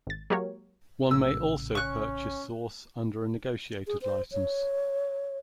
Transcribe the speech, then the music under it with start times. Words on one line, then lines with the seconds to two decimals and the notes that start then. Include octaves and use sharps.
One may also purchase source under a negotiated license.
0.07 G#1 A6
0.30 F#3 G#3 A#3 G4 A#4 C#5
1.11 A#1 A2 C#3 E6
1.75 C#4 C#6 F#6
3.87 G#4
4.02 C5
4.32 C#5